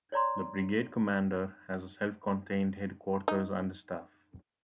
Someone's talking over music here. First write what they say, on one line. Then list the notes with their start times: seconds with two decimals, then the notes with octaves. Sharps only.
The brigade commander has a self-contained headquarters and staff.
0.12 C#5 D5 A#5 C6
3.28 D#4